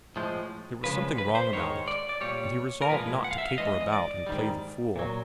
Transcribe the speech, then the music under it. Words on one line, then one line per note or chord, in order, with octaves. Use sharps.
There was something wrong about it, and he resolved not to caper about and play the fool.
A2 F3 G#3
F2 C#3 F3 G#3 B4
B4
C5
G#2 D#3 G#3 C#5
D5
D5
A#2 G3 C#5
A#4
A#2 F3 G#3 B4
F#5
F5
E5
F5
G2 E3 G#3 D#5
D#5
D5
G#2 D#3 G3
A#2 F#3